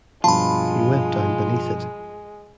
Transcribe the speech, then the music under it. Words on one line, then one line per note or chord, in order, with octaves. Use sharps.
He went down beneath it.
G2 B2 F3 G#3 F4 A5 B5